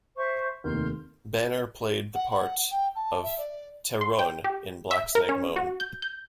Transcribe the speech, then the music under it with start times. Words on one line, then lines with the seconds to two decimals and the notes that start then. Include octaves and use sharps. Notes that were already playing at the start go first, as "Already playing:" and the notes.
Banner played the part of Tehronne in "Black Snake Moan".
0.16 C5 E5 C#6
0.64 F1 D#2 C6 F6 G6
2.14 F#5
2.31 F#5
2.71 G5
2.96 A5
3.23 E5
3.38 D5
4.01 C6
4.19 G5
4.44 G4
4.91 E5
5.15 A#4
5.29 C#4
5.56 F#4
5.80 G6
6.02 G6